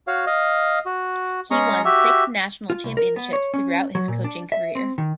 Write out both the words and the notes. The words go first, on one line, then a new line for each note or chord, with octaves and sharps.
He won six national championships throughout his coaching career.
F#4 C#5 F5
D#5 F5
F#4
G#3 C#4 G#4 A#5 C#6
F#4 G4 E5
F4
C2
A#4
B3
C#5
C#4
F#3
A#2
D4
E5
C4
D#3